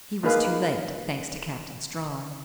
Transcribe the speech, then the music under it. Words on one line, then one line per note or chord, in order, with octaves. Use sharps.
He was too late--thanks to Captain Strawn.
A#3 D#4 G#4 B4 F5